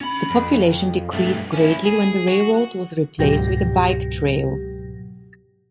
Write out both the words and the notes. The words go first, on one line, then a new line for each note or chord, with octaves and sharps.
The population decreased greatly when the railroad was replaced with a bike trail.
C#4 B5
F2
G2 A3
C#4 E4
G#4
F#4
C#2 G#2 B2 F#3 G4 A#6